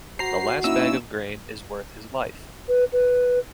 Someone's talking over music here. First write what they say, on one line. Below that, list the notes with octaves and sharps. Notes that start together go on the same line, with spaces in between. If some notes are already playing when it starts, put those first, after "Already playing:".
The last bag of grain is worth his life.
F#4 C5 A#5 C7
A#3 C#4 D#4 E4 E6
B4
B4